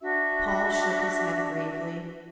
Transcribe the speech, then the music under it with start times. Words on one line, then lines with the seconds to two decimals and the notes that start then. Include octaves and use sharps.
Paul shook his head gravely.
0.01 D4 F#4 E5 E6